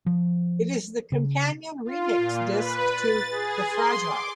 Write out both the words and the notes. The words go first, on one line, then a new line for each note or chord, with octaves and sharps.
It is the companion remix disc to "The Fragile".
F3
C#3
F4
A#2
B4
A6
G#4
C6
D6